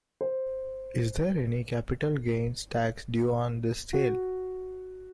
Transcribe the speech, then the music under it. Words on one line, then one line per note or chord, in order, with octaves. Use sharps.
Is there any Capital Gains tax due on this sale?
C5
F#4